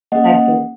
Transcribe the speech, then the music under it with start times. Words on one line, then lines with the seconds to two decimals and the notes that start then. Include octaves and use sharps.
I see.
0.12 A#3 C#4 G#4 D#5 F#5